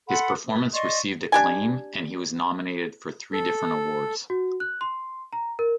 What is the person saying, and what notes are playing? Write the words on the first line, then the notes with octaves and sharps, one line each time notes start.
His performance received acclaim and he was nominated for three different awards.
A4 F#5 B5 C6
B4
D5 D#5 C6 C#6
D4 G4 G#5
A4
F#4
F#6
C6
A#5
A#4